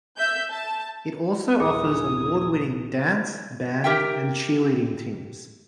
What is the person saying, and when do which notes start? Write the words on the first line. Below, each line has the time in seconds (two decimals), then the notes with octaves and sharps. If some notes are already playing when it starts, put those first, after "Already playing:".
It also offers award winning Dance, Band and Cheerleading teams.
0.18 E5 G6
0.50 A5
1.60 A#1 D#2 E4 G#4 G#5 D#6
3.84 G4 A#4 E5 G5